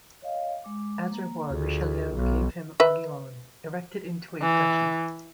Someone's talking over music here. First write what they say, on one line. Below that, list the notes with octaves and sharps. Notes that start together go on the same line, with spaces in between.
As a reward Richelieu gave him Aiguillon, erected into a duchy.
C#5 D#5 F5
G#3 D6
A#3 A#5
D2 F4 G#4
B1
B4 E5
E3